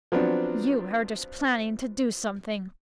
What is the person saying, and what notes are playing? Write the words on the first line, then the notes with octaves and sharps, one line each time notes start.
"You heard us planning to do something."
F3 F#3 B3 C4 D4